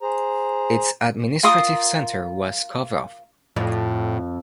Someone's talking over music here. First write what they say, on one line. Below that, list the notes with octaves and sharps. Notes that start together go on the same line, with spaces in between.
Its administrative centre was Kovrov.
G#4 C5 A#5
F4 A#4 C6 D#6
F2 A2